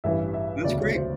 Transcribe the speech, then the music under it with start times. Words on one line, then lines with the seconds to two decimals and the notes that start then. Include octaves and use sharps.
That's great!
0.04 A1 G2 E3 E5
0.34 E5
0.64 E1 D2 C#3 D5
0.80 C#5
0.95 C5